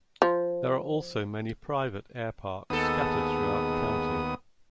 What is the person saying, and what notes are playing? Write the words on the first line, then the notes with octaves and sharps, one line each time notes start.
There are also many private airparks scattered throughout the county.
F3
D#2 G#2 B3 A4 D#6